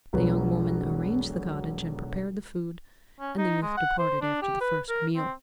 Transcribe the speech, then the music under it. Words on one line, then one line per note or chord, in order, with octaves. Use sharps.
The young woman arranged the cottage and prepared the food, and the youth departed after the first meal.
E1 B1 F3 F#3 B4
C#4
D#4
G#3
F#5
C5
D4
G4
B4
A#4
C4